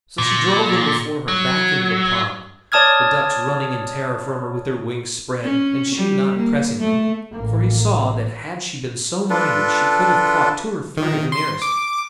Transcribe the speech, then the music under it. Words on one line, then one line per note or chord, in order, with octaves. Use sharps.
So she drove them before her back into the pond, the ducks running in terror from her with their wings spread, and she not pressing them, for he saw that had she been so minded she could have caught two or three of the nearest.
A#2
F#3
C#5 D5 A5 D#6 F6 G#6
C#4
G3
A#3
A3
A1 A#3
D4 F4 A4 B4
D#3
C6
D6